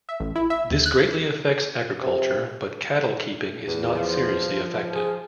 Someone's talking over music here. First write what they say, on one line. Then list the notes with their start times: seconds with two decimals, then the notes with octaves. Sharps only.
This greatly affects agriculture, but cattle keeping is not seriously affected.
0.09 E5
0.20 A1
0.35 E4
0.50 E5
0.71 D#2
0.86 F#6
2.02 C3
3.67 E2
3.95 F3
4.94 G#4